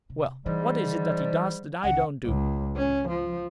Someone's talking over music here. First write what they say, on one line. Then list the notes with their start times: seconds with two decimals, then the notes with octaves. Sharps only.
Well, what is it that he does that I don't do?
0.10 C3
0.46 G#2 E3 G3
1.84 C#2 F#5
2.25 C#2
2.77 C#4
3.08 F3